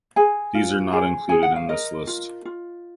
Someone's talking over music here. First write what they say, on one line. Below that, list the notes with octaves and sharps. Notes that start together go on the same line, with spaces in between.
These are not included in this list.
G#4 G#5
F4
G#4
G#4 G#5
F#5
F5
A#4 D#5
F4
F4